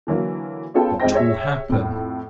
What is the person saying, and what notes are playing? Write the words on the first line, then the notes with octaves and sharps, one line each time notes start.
What will happen?
D3 E3 F#3 A#3
B3 C#4 F4 G#4 A4 G5
F2 G#3 D#4 C5 G5 A#6
G4 G#4 C#5 E5
F2 A2